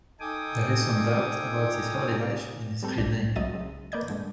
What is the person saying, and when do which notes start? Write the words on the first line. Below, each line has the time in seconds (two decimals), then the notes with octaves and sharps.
There is some doubt about his early life and his real name.
0.20 D#4 A4 G5 G#5 D6 D#6
2.83 G3 C4 A4
2.98 G1 C2 D4 G6 A#6
3.36 C2 F#3 D#5 E5 A6 D#7
3.53 C#3 G#3
3.92 A#3 B4 D5 D#5 G6 G#6
4.08 G2 D3 G#3